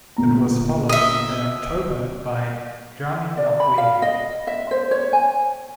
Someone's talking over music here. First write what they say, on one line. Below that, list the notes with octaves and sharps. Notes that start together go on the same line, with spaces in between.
It was followed, in October by "Drowning Not Waving".
G1 A#2 A#5
D#5 E5
D5
B5
F5
D#5
E5
C5
C#5
G#5